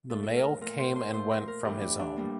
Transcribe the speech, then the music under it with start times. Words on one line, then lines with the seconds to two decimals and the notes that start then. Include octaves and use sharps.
The mail came and went from his home.
0.10 A#2 A3 A4
0.23 A4
0.36 A#4
0.61 A#2 A3 A#4
0.78 C5
0.96 C5
1.13 A#2 A3 C5
1.31 A#4
1.48 A#4
1.65 A2 E3 A3 G4
1.82 D4
1.99 D4
2.17 A2 G3 A#3